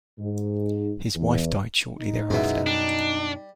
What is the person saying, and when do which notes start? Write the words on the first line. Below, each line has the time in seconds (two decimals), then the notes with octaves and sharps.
His wife died shortly thereafter.
0.19 G#2
1.15 E2
1.98 D#4
2.30 F#2 B2 G#3 B3 E4
2.67 G3 D4